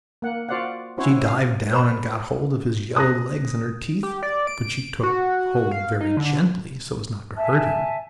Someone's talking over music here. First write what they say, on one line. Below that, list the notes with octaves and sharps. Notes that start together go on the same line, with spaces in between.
She dived down, and got hold of his yellow legs in her teeth, but she took hold very gently, so as not to hurt him.
A#3 F#5
F4 F#4 C5 D5 F5 F#5
C4 C#4 E4 F#4 C5 C#5
F5
B4 C5 A#5 B5
D#6 F#6 A#6
G4
D5
D7
F#4
F5
D#4
D3
E5 G#5 A5